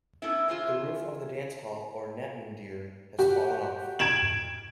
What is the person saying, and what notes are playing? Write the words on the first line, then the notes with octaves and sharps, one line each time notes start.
The roof of the dance hall or "natmandir" has fallen off.
A3 B3 C#4 D#4 E4 E5
E3 F4 G#4 C5 E5
F#4 G4
G#6 D7 E7 F#7